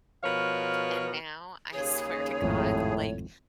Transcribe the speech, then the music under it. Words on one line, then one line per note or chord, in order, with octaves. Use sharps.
and now, I, swear to God, like,
B2 F3 A#4 B4 C#5 F5
D#2 C#3 G#4 C#5
G#1 F2 A2